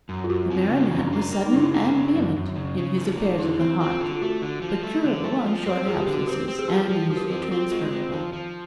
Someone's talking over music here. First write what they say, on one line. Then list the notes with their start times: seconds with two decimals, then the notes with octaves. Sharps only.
The baronet was sudden and vehement in his affairs of the heart; but curable on short absences, and easily transferable.
0.09 F#2
0.24 F4
0.29 F#2 F#4
0.50 F3 C4
0.70 C#3 C#4
0.91 F#2 D4
0.99 C#4
1.07 D4
1.12 A#3
1.19 D4
1.32 A#3
1.46 D#4
1.54 C#3 E4
1.66 D#4
1.74 A#3
1.94 C#3
2.15 F#2
2.36 F#2
2.56 C#3
2.78 C#3
2.98 F3
3.18 A#3
3.38 D3 E4
3.60 C4
3.80 C4 F4
4.01 D3
4.12 F4
4.21 A3 F#4
4.42 D3
4.62 F3
4.83 A3
5.04 D3
5.24 A3
5.46 F3
5.66 C4
5.86 F3 G#4
6.00 G4
6.07 D3
6.14 F#4
6.27 C4 G4
6.48 C4
6.59 G#4
6.68 F3 G4
6.89 F3
7.10 F3 F#4
7.17 G4
7.24 F#4
7.30 C4
7.43 F#4
7.51 C4 F4
7.72 G#3
7.92 C4
8.12 F3
8.33 F3